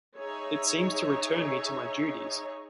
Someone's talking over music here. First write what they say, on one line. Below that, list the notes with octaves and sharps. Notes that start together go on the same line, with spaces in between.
It seems to return me to my duties.
D#4 G#4 C#5 E5